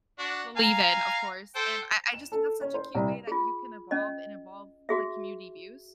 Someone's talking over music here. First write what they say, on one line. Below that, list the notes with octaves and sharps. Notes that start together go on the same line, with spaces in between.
believe in, of course, and I I just think that's such a cute way that you can evolve and evolve, like, community views.
D4 F#4
F5 G#5 A#5
A4 C5 G5
E7
A4
C#4
C5
C2
F4 G#4
C#4 D#5
F#4 G#4 E5